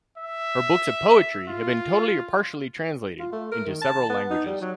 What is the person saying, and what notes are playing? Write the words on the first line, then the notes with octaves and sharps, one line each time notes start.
Her books of poetry have been totally or partially translated into several languages.
E5
F4
F4
A3
A#4
D#3
A5
B3
D#4
G3
F#3